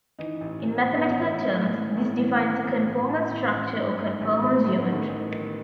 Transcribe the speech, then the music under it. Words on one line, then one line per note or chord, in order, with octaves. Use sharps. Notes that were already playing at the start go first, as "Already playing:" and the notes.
In mathematical terms, this defines a conformal structure or conformal geometry.
E3 D#4
A1
E3
A1
B3
A1 C#4
A2
A2 A3
E3
A1 A3
E3
E3
A1
A1
A2
A1
A1
G#2
G#2
A1
A1
A1 A3
B3
D#3 A3
A1
D#3